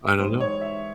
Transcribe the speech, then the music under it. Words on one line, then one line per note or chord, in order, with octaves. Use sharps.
I don't know.
G#2 E3 G3 C5
C#5
E5